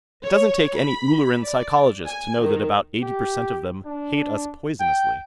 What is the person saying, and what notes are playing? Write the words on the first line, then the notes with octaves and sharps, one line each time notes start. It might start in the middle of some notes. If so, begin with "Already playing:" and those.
"It doesn't take any Ulleran psychologist to know that about eighty percent of them hate us poisonously."
C#5
B5
D5
G#5
D#3
G4
D4
G5